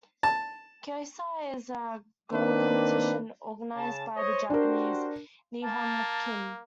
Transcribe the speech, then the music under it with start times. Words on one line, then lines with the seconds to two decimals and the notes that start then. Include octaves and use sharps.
Kisei is a Go competition organised by the Japanese Nihon Ki-in.
0.23 A5
2.32 D#3 A#3 C4 D4 B4
3.76 C#3 A5
4.16 C5 C#5 D#5
4.50 D4 F#4 G4 A#4 C5
5.62 A#3 A5